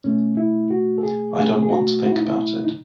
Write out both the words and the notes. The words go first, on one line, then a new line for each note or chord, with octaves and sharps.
I don't want to think about it.
B2 A3 C#4
E4
F#4
A4
G#4
B2 F#3 A3 G#4
G#4
F#4
F#4
E4
D#4
E4
D#4